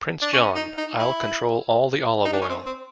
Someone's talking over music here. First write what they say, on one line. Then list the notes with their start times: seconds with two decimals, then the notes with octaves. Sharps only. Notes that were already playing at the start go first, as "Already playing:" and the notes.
Prince John: I'll control all the olive oil!
0.22 D4
0.33 C#4
0.56 D#4
0.78 D#4
1.00 E4
2.25 D#4
2.33 D4
2.42 C#4
2.49 C4
2.66 C4